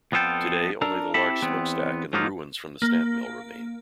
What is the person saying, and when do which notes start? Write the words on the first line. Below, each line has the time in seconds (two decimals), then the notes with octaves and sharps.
Today, only the large smokestack and the ruins from the stamp mill remain.
0.12 F2 B3 F4 A4 G5
0.82 D4 A4 A#4
1.14 C4 E4 G4 A4 A5 B5
1.42 E2 B3 C4
2.13 G#2 F3 F#3 A#3 D#4 F4
2.82 A#3